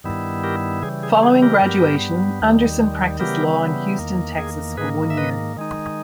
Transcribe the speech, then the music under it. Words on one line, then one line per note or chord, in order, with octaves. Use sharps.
Following graduation, Anderson practiced law in Houston, Texas for one year.
G2 D#3 G3 B3 E4
G4 A#4
C#3 E3 G3 G#4
G#4
G#4
G4 A#4
G2 G3 B3
D#2 D#3 G3
C#3 E3 G3 B3 G4 A#4
E2 D#3 A#3
G#4
G#2 D#3 A#3 G#4 B4
E5
B4 D#5
D#3 G#3 D#4